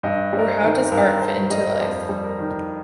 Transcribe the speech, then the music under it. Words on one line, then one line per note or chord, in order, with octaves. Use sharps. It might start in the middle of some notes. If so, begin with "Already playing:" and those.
Or how does art fit into life?
G2 D#5
G3
A#4
C5
D#3
G2 A#4
G2 C5
G3 D#5
A#4
F2 C5
G3
A#4
D#3